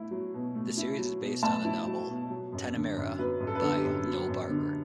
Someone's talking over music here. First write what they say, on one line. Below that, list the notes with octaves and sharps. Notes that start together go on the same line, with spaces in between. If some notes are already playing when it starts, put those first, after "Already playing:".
The series is based on the novel, "Tanamera", by Noel Barber.
Already playing: A3 E4
F#3
B2
A3
E4
F#3
B2
A3 A5
E4
F#3
B2
F#3
F#2
D3
F#2
F#3 B4
F#2
A4
B4
D3 A4
G4
F#2
F#3
F#2
D3